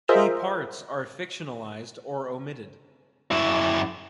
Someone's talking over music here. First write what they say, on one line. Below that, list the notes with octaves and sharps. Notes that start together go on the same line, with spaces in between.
Key parts are fictionalized or omitted.
F4 G#4 A#4 C5 D#5 E5
F#2 E4